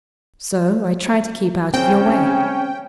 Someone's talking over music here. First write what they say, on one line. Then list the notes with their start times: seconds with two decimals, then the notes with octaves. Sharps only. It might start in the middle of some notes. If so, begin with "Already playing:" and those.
So I tried to keep out of your way.
1.74 C#3 C4 C#4 G5